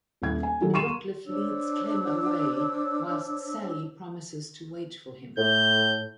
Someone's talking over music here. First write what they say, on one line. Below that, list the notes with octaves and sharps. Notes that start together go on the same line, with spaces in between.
Rockliffe leads Clem away, whilst Sally promises to wait for him.
D#1 E4 G#6
G#5
D#3 F#3 G4 A4
C6 C#6 D#7 E7
D4 C5 C#5 E6
A2 G6